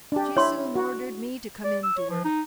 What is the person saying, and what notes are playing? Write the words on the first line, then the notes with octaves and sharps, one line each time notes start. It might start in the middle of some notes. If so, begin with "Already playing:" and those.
She soon ordered me to come in to her.
D4 G4
E4 C#5 C6
F#4
D5
E6
C#5
F3
D#4